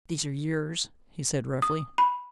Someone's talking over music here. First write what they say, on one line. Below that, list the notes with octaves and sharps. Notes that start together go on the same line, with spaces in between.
"These are yours?" he said roughly.
D#6
B5